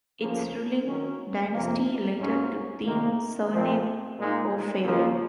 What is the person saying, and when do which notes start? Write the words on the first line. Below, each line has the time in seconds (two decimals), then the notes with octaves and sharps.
Its ruling dynasty later took the surname O'Feary.
0.21 C#3 F3 A#3
0.87 D#3 F#3 C#4
1.53 F2 C3 F3 A#3
2.19 G#2 F#3 C#4
2.85 C3 D#3 A#3
3.52 A#2 F3 C4
4.18 A#2 G#3 D#4
4.84 F2 C#3 F3 A#3